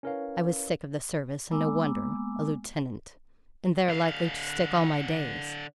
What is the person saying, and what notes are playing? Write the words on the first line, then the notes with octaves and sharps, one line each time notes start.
I was sick of the service, and no wonder: a lieutenant--and there likely to stick all my days.
C#4 E4 A#4 B4 C#5 F5
G#3 A#3 B3 G#5 D6 E6
D3 F5